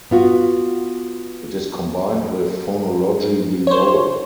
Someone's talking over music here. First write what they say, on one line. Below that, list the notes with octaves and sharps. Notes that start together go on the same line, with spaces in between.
It is combined with phonology below.
B3 F4 F#4
C5 C#5